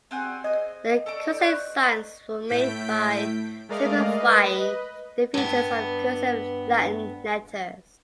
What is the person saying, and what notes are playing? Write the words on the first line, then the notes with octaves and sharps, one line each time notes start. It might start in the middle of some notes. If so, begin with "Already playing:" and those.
The consonant signs were made by simplifying the features of cursive Latin letters.
G3 C4 F#4 G#4 F#5 G#5
G#4 C5 D#5 G#5
D3 A4 D5 E5 C#6 D6
C4 C#6 F#6
A2 A3 G6 B6 D7
G#3 A3 A#4 D5 D#5 F5
B4 D#5
G2 B3